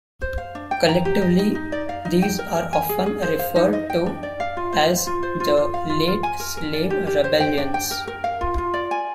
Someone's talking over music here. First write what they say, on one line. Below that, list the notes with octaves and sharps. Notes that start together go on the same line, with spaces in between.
Collectively these are often referred to as the "late slave rebellions".
C5
F5
D4
G5
A#5
G4
D#5
D#4
D#4
D5
F5
D#4
G5
A#4
A#4
G#5
G#4
G#4
C5
F5
D#4
D#5
G5
D4
D5
F5
F4
C5
F5
F4
C5
F4
F4
F5
F4
F4
G#5
A#4
A#4
D5
G4
G4
C5
G5
D4
G5
A#4
A#4
F5
F4
F4
D5
G#5